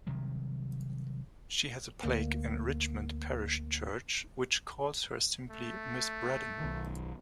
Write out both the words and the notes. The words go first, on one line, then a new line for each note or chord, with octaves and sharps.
She has a plaque in Richmond parish church which calls her simply 'Miss Braddon'.
C3 D#3 F#3 G3
D2 A#3
A3
B1 D#3